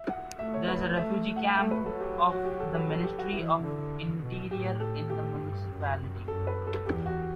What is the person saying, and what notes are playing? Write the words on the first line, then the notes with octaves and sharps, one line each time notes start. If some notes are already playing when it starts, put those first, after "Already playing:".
There is a refugee camp of the Ministry of Interior in the municipality.
Already playing: E5
F#5
A3 E5
C#5
B4
C#5
A3 E5
F#5
A3 E5
B4
F#3 A4
G4
F#4
G4
A4
B4
A4
G4
F#4
E3 E4
D3
B2
A2 G4
A4
A2 G4
G2
F#2
F#2 A4
B4
A4
E2 G4
F#4